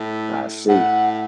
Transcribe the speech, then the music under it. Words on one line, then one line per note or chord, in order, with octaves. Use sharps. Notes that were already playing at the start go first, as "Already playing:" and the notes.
I see.
Already playing: A2
A2 F#5